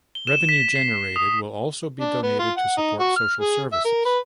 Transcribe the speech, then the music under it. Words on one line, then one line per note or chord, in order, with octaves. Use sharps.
Revenue generated will also be donated to support social services.
G7
E7
B6
C7
D#6
D4
B3
F4
F#5
D#4
F#4
F6
G#4
E5
A#4
B4